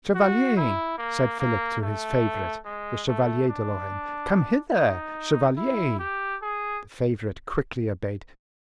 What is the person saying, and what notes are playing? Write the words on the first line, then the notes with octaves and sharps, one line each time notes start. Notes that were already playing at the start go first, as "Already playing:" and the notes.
"Chevalier," said Philip to his favorite, the Chevalier de Lorraine, "come hither, chevalier." The favorite quickly obeyed.
F#4
E4
A#3
A#3
A3
G#3
A3
D4
D#4
E4
G4
G#4